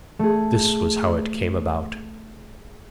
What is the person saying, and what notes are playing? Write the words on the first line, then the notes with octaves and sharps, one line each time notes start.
This was how it came about.
A3 G#4